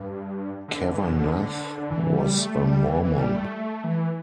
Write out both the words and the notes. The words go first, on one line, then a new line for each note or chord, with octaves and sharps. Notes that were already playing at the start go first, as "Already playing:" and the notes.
Cavanaugh was a Mormon.
Already playing: G2
D3
E3
D3
B2
D3
E3
G3
G3
A3
G3
E3
E3
G3
A3
E3